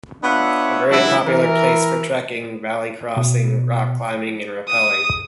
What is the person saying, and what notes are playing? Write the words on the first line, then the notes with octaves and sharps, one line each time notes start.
A very popular place for trekking, valley crossing, rock climbing and rappelling.
B3 D4 F4 C#5 E5 F#5
E3 F#3 G#3 D4 E4
E3 A#4
B2
D#6